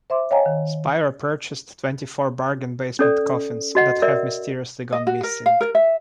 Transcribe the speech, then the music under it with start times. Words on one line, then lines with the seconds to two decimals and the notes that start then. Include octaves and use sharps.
Spiro purchased twenty-four bargain basement coffins, that have mysteriously gone missing.
0.10 C5 E5 C6 D6
0.31 C#5 D#5 F5 G5 G#5 A#5
0.46 D#3
2.99 C#4 A4 D5
3.75 F#4 D#5 F#5
4.02 A#4 D5 E5
4.92 D#5
5.07 F#4
5.23 A#4
5.46 F5
5.61 A#4
5.75 E5